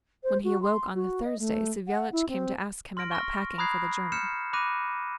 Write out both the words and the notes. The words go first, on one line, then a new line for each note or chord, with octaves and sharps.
When he awoke on the Thursday, Savelich came to ask him about packing for the journey.
C5
F#4
C6
F#4
D#5
A3
F#5
E4
C4
C6 F6 A#6 D7
C#6 F6 A#6
A#5 B5 D#6 F#6 G#6 C7
F6 G6 C#7 E7
B5 D6 F#6 A#6 D#7